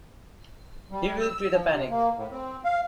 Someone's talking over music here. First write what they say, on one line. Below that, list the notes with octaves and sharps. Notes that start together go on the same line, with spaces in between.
He will create a panic.
G3
E6
F3
C3
A#3
A2
C4
F5